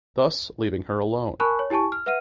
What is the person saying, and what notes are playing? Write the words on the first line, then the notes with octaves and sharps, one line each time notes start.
Thus leaving her alone.
A#4 G#5 A5 B5 C#6 F#6
C#5
E4 G4 G#5 A5 C#6
F6
B4 E5 F#5 F6 D#7